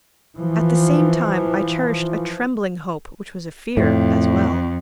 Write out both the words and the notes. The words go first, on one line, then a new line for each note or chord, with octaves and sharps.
At the same time I cherished a trembling hope which was a fear as well.
E3 F3
F2 A2